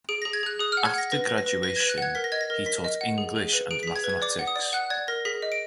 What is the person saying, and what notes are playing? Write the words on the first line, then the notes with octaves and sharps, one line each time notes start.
After graduation he taught English and mathematics.
G#4 D7
G#4 A#6
G#6
G#4 F#6
G#4 D#6
F6
F#5
G#6
F#5 A#6
B4 A#6
B4
A#6
B4
B4 A#6
B4 G#6
F#6
F#5 G#6
A#4 B6
A#6
D#5 G#6
A#6
A#4
A#4 B6
D#5
F#5
G#4
G#4
B4
G#4 D7
G#4 B6
G#6
B4
G#6
D5 D6
F#5
D#6
D5
F#5 F#6
D5 G#6
A#4 A#6
G#4 B6
D#5
D7